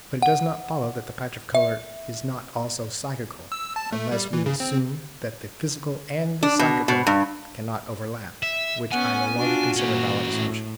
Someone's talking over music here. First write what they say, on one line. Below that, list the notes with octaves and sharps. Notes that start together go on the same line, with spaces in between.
But it does not follow that the patch of colour is not also psychical, unless we assume that the physical and the psychical cannot overlap, which I no longer consider a valid assumption.
F#5
E5
E6
A5
A3
G3
E3
C#3
C4
D4
B2
B2
G2
E5
B3 C#4 F#5 G#5
D4 F4 F#4
A#2 C#4 G4
A2